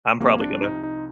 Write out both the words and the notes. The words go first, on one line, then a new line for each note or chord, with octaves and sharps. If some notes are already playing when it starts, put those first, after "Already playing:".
I'm probably gonna.
C2 C3 F3 A#3
D4
D#4
D#4